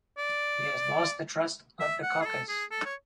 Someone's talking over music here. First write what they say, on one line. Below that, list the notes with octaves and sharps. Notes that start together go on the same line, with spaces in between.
He has lost the trust of the caucus.
D5
E5
F#5
G#4
A4
G#4
A4
C#5